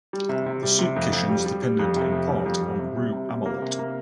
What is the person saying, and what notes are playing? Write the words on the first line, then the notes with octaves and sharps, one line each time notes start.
The soup kitchens depended in part on Rue Amelot.
G3
C3
C3
G3
C3
F2
F2
G3
G3
G3
F2
C3
F2
G3
F2
G3
C3
G3
C3
G3
A#3
C3
A#3